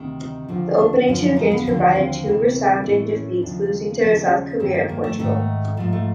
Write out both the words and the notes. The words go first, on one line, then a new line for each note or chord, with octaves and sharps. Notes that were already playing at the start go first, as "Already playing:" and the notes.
The opening two games provided two resounding defeats losing to South Korea and Portugal.
Already playing: D2 C3 D#3
D#4
D#2 D3 F3
D4
D4
F#2 D3 F3
D4
D#4
B3
D#2 D3 F3 A#3
C4
D2 C3 E3
A2 E3
C#4
D#2 C#3 F3 D4
D#2 C#3 F3 C#4
D4
C#4
G2 D#3 C4
A#3
A#3
A3
G#2 D#3 A3
G#2 F3 A3
A3